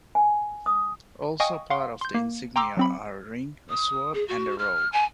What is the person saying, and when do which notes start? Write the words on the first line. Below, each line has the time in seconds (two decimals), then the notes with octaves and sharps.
Also part of the insignia are a ring, a sword and a robe.
0.15 G#5
0.66 D#6
1.40 D#5 F5 G5 G#5 C#6 D#6
1.70 F5 F#5 C6
2.01 C6 G6
2.15 A#3
2.56 G5 A#5 C6 D6 E6
2.77 F#3 C4 B5
3.69 D#6
4.14 G#4
4.28 F#4
4.58 F6
4.92 G#5